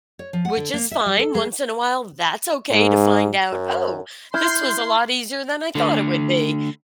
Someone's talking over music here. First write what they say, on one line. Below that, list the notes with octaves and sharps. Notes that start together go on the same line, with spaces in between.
which is fine. Once in a while, that's okay to find out, "Oh, this was a lot easier than I thought it would be.
C#5
F3
F#5
D3
A#3
E5
G3
A4
G#3
G#2
F#2
E4 B5 C6 F6 G6 G#6
D3 A3